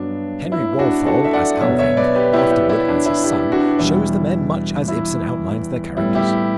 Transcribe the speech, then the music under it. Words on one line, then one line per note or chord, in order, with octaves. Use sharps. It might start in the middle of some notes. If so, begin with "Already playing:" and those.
Henry Walthall as Alving, afterward as his son, shows the men much as Ibsen outlines their characters.
Already playing: G2 F#3 B3 D4
E4
D4 F#4
F#4 A4
E5
D5 F#5
B2 F#3 B3 C#5 E5
C#5 E5
B4 D5
G4 B4
E4 G4
E4 G4
E4
D4
E4
E4 G4
D4 F#4
E2 B2 G3 E4
E4
A2 G3 B3 E4
E4 G4